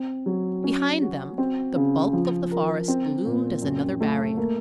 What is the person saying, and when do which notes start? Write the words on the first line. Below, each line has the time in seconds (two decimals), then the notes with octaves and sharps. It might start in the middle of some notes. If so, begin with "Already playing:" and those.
Behind them the bulk of the forest loomed as another barrier.
Already playing: C4
0.26 F#3
0.64 C#4
1.02 F#4
1.38 C4
1.76 C#3
2.13 F3
2.51 A#4
2.88 C4
3.25 A#2
3.62 F#2
4.01 A3
4.37 A#3